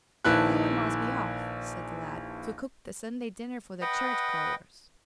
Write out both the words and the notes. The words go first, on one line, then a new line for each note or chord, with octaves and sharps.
"Now I must be off," said the lad, "to cook the Sunday dinner for the church-goers."
A#1 D#3 E4 B4 A5 F#6
B4 D#5 F#5 G5